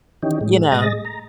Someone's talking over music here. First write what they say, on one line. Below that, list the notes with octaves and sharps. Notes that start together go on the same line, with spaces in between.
you know,
D#3 E3 C#4 D#4 G4
A2 G#3
A2 G#3 D#5 A6 A#6
A#5